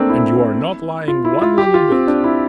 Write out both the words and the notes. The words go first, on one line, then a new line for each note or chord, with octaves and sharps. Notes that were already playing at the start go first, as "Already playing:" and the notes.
And you are not lying one little bit.
Already playing: A3 A#3 C4 D4
E4
F4
E4
F4
G4
F4
C4
D4
E4